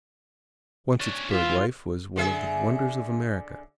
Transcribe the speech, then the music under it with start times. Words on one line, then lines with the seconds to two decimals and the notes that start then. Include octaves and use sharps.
Once its bird life was one of the wonders of America.
1.00 C#4 D4
1.31 E3 F4 E5
2.16 D3 G#4 E5